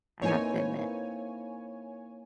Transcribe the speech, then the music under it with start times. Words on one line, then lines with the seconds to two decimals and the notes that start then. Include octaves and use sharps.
I have to admit.
0.22 A#3 C4 D#4 E4 B4 C#5 G#5